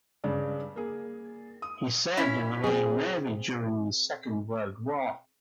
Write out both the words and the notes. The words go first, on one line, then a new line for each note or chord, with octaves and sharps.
He served in the Royal Navy during the Second World War.
G2 C#3 D5
A#3 G#4
D#6
C#4 E4
C4 G#4